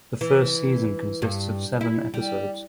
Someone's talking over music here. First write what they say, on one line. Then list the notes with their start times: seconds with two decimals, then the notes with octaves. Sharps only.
The first season consists of seven episodes.
0.21 E3
1.22 G2
1.81 E4
2.14 G3